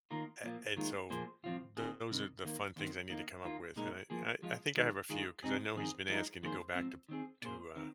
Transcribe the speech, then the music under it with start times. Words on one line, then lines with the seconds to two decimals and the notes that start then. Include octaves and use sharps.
a and so, those are the fun things I need to come up with, and I and I I think I have a few 'cause I know he's been asking to go back to p to, uh
0.11 D#2 D#3 A#3 F4 A#4
0.44 A#2 F3 A#3
0.76 D#2 D#3 G#3 F4
1.10 A#2 F3 A#3 G#4 C5
1.44 F2 F3 C4 F4
1.77 D#2 D#3 C4 G#4
2.10 C2 C3 D#3
2.43 D#2 D#3 A#3
2.76 D#2 D#3 C4
3.09 D#2 D#3 A#3
3.44 D#2 D#3 A#3 F4
3.76 A#2 G#3 D#4 A#4
4.10 F3 A#3 G#4
4.42 F2 F3 G#3 F4
4.76 F2 D#3 G#3
5.09 D#3 G#3 F4 G#4
5.43 C3 G#3 C4 D#4 G#4
5.75 F2 D#3 C4 G#4
6.09 F3 G#3 C4 D#4
6.43 F2 D#3 A#3 G#4 C5
6.75 G#2 F3 C4
7.09 D#3 C4 G#4
7.42 A#2 A#3 G#4 C5
7.75 D#3 C4